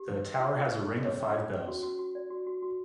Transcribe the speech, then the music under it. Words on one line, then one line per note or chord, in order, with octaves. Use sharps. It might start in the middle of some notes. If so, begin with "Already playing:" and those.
The tower has a ring of five bells.
Already playing: G4
C5
D#5
F4
F4
G#4
G#4
C#5
C#4
F4
C#4
F#4
F#4
F#4
D5
F#4
F#4
F#4